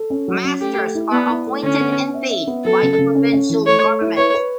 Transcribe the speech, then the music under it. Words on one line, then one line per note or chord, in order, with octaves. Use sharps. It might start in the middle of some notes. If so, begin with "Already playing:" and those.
Masters are appointed and paid by the provincial government.
Already playing: A4
C#4
F#3
C#4
A3 G4
A3
E4
B3 D5
E4
A3
D3 C#4
B3
B3
E5
E5
B3
F#3 A4
C#3
C#3
C#4
C#4
E3
A3 C#5
A3
E4
B4 C#5
B4